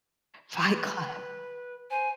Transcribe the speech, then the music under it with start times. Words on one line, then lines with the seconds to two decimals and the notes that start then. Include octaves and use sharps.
Fight Club.
0.73 B4
1.90 C5 G#5